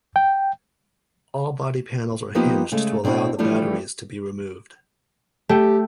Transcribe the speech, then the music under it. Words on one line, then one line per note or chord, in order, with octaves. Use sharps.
All body panels are hinged to allow the batteries to be removed.
G5
F3 A#3 B3 D#4 F4 G4
C#3 G#3 A3
B2 C4 D4 E4 F#4
E3 F3 G3 A3 C4 D4
A3 G4 G5